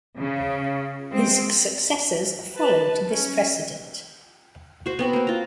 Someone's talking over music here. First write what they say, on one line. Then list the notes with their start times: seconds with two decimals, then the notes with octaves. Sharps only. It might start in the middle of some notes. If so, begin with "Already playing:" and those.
His successors followed this precedent.
0.18 C#3
1.12 G#3 C4
2.58 B4 A5
3.08 C#4
4.86 F#4 C5
4.99 B3 C4 F#4
5.13 A#3 C5
5.27 F4 A#5